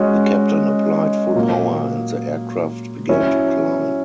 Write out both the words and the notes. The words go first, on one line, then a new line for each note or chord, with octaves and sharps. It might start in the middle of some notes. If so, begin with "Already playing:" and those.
The captain applied full power and the aircraft began to climb.
Already playing: G#3 C#4 F#4
A#2 F#3 A#3
F#3 C#4 E4